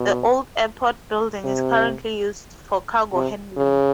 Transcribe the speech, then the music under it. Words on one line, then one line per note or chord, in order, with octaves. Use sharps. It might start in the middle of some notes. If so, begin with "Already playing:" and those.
The old airport building is currently used for cargo handling.
Already playing: B2
C3
C3
C#3